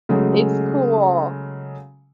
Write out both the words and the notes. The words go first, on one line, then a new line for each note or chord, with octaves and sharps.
It's cool.
C#3 F#3 G#3 A3